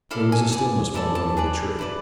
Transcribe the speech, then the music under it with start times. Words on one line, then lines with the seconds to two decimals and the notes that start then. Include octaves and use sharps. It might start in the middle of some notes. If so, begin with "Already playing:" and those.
There was stillness for a moment in the tree.
0.11 E4 A4 D5 F5
0.32 G#5
0.52 G#4 D5 G#5
0.94 E4 A4 D5 A5
1.15 A5
1.37 G#4 B4 D5
1.79 E4 B4 D5